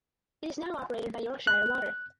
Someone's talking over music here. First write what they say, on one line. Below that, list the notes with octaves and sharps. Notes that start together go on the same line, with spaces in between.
It is now operated by Yorkshire Water.
F#6